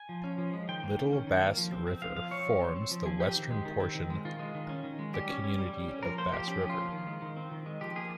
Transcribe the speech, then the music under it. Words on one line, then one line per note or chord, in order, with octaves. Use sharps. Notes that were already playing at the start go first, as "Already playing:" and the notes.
Little Bass River forms the western portion the community of Bass River.
Already playing: G#5
F3
C#4
F3
G#3
D#3 G5
A#3
D#3
C#4
D#3
A#3
F3
C4
C4
F3 F5
F3 F5
C4 C#5
F3
C4
C4
F3
F3 G#4
C4 G4
D#3
G#3
D#3
C4
D#3
G#3
D#3 F4
G#3
D#3
C#4
D#3
G#3
G3 G4
C#4
C#4
G3
G3
C#4
F3 A#4
A#3 C5
F3 G4
C#4 G4
F3
F4
A#3
D#3
G#3
D#3
C4
D#3
G#3
F3 G4
A#3 G#4